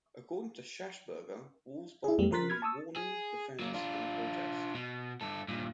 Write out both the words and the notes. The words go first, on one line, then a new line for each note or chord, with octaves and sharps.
According to Schassburger, wolves bark only in warning, defense, and protest.
E4 G#4
F2 G3 A3 B3
F3 A#4 C6 F#6 A6 B6
B5 F6 G#6
A5 C#6 D#6 E6
G#4
F#3 A#3
D4 F4
B2
G2 A4
G2 A#2